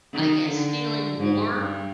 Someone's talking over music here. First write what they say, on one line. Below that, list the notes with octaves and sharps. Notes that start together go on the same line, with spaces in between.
I guess, feeling more
D#3
D3
G#2
G2